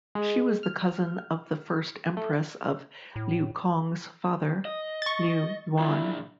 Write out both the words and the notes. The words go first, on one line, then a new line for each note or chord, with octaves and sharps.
She was the cousin of the first empress of Liu Cong's father Liu Yuan.
G#3
F6
A3
A2
D#5
C#6 A6
F3 D4 E4